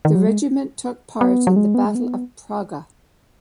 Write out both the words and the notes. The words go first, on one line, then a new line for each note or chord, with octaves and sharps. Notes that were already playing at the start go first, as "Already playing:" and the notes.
The regiment took part in the battle of Praga.
D#3
F#3
G#3
B3
F#3
G#3
B3
G#3
B3